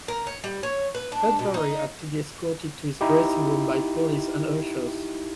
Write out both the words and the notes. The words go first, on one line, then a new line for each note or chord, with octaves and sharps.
Udvari had to be escorted to his dressing room by police and ushers.
A#4
C#5
G3
C#5
B4
D4
B2
D#4
D#4 E4 G4